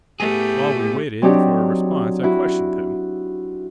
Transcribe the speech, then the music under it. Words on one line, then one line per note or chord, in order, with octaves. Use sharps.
While we waited for a response I questioned him.
A2 A3 B3 G4 G#4
F#3 C4 D4 D#4 G4
E4 F#4